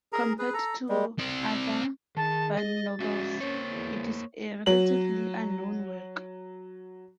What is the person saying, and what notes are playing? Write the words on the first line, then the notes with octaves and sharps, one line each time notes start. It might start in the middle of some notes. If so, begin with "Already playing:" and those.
Compared to other Verne novels, it is a relatively unknown work.
G#4 A#4 A#5
G#4 B4
A4 A#5
G3 G#3
C4 D5
D#3 G#4 A5
D#5 A6
G#3 C#4 F#4 E5
A#3 C#4 C5 C#5
E2
F#3 F#7